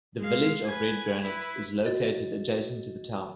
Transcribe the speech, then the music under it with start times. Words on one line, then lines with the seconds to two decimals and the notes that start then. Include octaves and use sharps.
The village of Redgranite is located adjacent to the town.
0.20 G#3 F5
0.66 B4 G#5
1.21 E4 B4
1.84 F4 F#4 D#5 A6